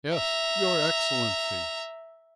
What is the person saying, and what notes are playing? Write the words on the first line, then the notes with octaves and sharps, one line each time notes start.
"Yes, your Excellency."
E5 A#5